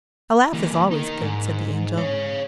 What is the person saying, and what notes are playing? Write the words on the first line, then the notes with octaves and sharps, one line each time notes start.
"A laugh is always good," said the Angel.
E3 A#3
D#4 A#4
G#2
C#5 F5